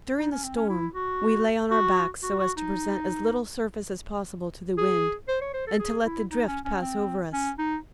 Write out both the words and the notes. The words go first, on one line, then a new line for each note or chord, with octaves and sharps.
During the storm we lay on our backs so as to present as little surface as possible to the wind, and to let the drift pass over us.
D#4
C#4
C4
C#4
E4
F#4
F#4
F#4
F#4
D#4
G#4
C5
C#5
C5
A4
G#4
E4
D#4
C#4
C#4
C4
C#4
D#4